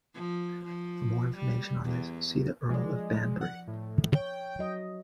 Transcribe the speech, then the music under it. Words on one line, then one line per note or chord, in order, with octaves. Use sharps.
For more information on this, see the Earl of Banbury.
F3
F3
G3
E2
F3 G#3 D5
F#5
A2
C#5 G5
F#3 D#5